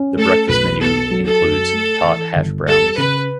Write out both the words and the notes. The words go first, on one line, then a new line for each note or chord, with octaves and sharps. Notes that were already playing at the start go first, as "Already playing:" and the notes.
The breakfast menu includes tot hash browns.
Already playing: C#4
A3 A4
B1 B4
B3 A4
F#3
A4
F#2
A3
E3
G1
G3 A4
C#3 B4